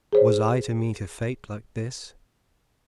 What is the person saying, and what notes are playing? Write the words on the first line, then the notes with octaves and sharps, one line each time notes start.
Was I to meet a fate like this?
G#4 C5 C#5